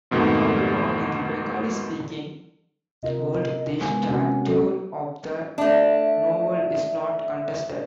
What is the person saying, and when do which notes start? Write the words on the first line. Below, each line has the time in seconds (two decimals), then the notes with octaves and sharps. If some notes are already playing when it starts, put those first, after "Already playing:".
However, in the Bengali-speaking world, the stature of the novel is not contested.
0.11 F2 G#2 B2 D#3 A3
3.03 C3 F4 A#4 D#5
3.81 G#3 B3 G#5
4.09 C3 C#4 F#4
4.47 C#4 A4 D#5
5.58 A3 D4 E5